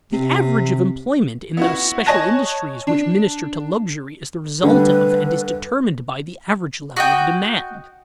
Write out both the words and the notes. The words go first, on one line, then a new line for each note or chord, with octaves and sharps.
The average of employment in those special industries which minister to luxury is the result of and is determined by the average level of demand.
C3
B3 E4 F#4
C#5 D#5 G#5 A5 F#6 A#6
D4
D3 G3 A3 B4
F#4 D#5 G5